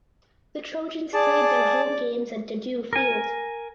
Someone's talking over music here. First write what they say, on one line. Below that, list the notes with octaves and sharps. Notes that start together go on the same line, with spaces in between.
The Trojans played their home games at Dedeaux Field.
G#4 D5 A5
A#4 G#5